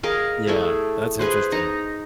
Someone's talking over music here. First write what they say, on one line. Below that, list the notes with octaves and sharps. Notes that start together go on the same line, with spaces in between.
Yeah, that's interesting.
G#4 A#4 D#5 F5
A3 E4 G#4
G#4 B4 C5
D#4 A#5